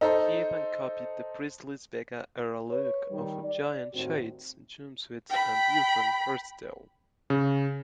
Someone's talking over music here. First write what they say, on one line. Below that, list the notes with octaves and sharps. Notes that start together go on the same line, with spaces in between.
He even copied the Presley's Vegas-era look of giant shades, jumpsuits and bouffant hairstyle.
D#4 A4 C5
B4 C#5
D#3 G3
D5
D#2 A2 C4 D#4 F#4
G5 B5
C#3